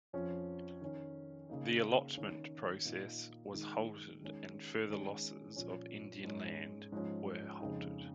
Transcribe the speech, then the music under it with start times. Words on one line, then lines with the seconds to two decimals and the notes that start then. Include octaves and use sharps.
The allotment process was halted and further losses of Indian land were halted.
0.13 F2 F3 C#4
0.81 D#3 C#4
1.49 C#3 A#3 D#4
2.17 D#3 C#4
2.85 A#2 A#3 D#4
3.53 D#3 G#3 D#4
4.21 D#3 G#3 C#4
4.89 D#3 G#3 C#4
5.56 A#2 F3 C#4
6.24 G#2 G#3 C#4
6.92 G#2 F3 C#4
7.60 F2 C#3 G#3 D#4